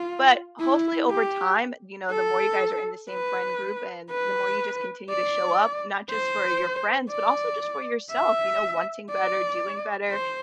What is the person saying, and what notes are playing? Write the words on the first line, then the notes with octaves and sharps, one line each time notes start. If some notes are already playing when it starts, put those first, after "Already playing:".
but hopefully, over time, you know, the more you guys are in the same friend group and the more you just continue to show up, not just for your friends, but also just for yourself, you know, wanting better, doing better,
Already playing: F4
E4
G4
A4
B4
B4
D5
C5
D5
E5
D5
C5